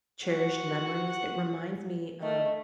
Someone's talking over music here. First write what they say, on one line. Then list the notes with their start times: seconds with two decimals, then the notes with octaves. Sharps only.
cherished memories, it reminds me of
0.24 F#4 F#5
2.22 A3 D#5